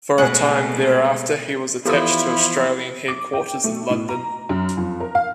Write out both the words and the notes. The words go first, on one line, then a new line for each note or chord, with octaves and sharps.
For a time thereafter he was attached to Australian Headquarters in London.
B2 G#3 A3 F#5
E3 F3 B3 E4 G4 A4 D#6
D6
G5
A3
A2
A#5
F#2
F2
A#4
F5